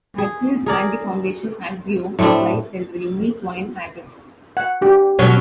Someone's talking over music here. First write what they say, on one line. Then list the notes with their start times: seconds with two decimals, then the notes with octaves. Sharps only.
Aczel's anti-foundation axiom implies there is a unique Quine atom.
0.18 G#4
0.66 G#4 A#4 D5
2.19 A2 A3 C4 D4
4.57 F#5
4.81 D4 G4
5.19 B2 F#3 C#4 C#5